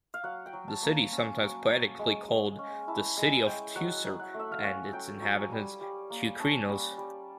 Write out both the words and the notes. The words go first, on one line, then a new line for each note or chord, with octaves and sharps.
The city is sometimes poetically called "The City of Teucer" and its inhabitants "teucrinos".
F5
F#3 F#5
G5
F#3
A5
A#3
A5
C#4
F#3
F#3
G#3
G#3
C#4
E4 A5
G#3 G#5
G#3 G5
F#3 F#5
F#3
F#5
A3
E5
F5
C#4 F#5
F#3 G5
F#3 G#5
G3
G3
A#3
C#4 A5
G3
G3